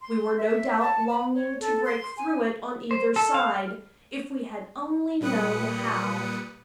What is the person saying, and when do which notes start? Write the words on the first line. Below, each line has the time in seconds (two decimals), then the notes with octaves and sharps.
We were no doubt longing to break through it on either side--if we had only known how.
0.01 C6
0.37 E5
0.81 A5
1.10 B5
1.35 C#5
1.60 A4
1.85 C6
2.17 G#5
2.91 C5
3.16 A4
3.34 F5
3.54 F6
5.21 A#2 G3 B4 D#6 F#6 C#7